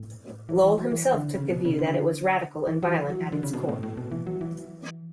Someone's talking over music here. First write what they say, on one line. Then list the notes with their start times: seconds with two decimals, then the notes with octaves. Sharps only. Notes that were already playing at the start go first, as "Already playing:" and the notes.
Lowell himself took the view that it was radical and violent at its core.
Already playing: A2
0.49 E3
0.64 E3
0.78 F#3
0.92 E3
1.14 D3
1.35 C#3
1.50 B2
1.65 C#3
1.79 D3
2.67 E3
2.83 F#3
2.88 E3
3.10 F#3
3.20 E3
3.32 D3
3.43 C#3
3.53 B2
3.69 A2
3.83 A2
3.97 B2
4.11 E3
4.27 F#3
4.41 E3